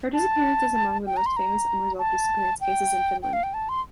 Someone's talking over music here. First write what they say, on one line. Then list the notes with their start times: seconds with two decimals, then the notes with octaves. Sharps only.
Her disappearance is among the most famous unresolved disappearance cases in Finland.
0.14 A5
1.07 G5
1.17 A#5
1.26 C6
1.37 A#5
1.99 A5
2.61 G5
3.23 G5
3.33 F5
3.43 G5
3.54 A5
3.69 C6